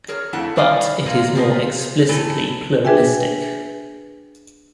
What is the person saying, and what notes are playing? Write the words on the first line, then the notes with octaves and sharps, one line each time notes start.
But it is more explicitly pluralistic.
G#4 A#4 C#5
F2 A3 E4 F#5
B2 D#3 G3 D5 F5 G#5
F#2 C3 A#3
F4 G4 G#4 A#4 D#5 E5
G#2 A3 E4 A4 G#5
D4 G#4 B4 E5 G5 G#5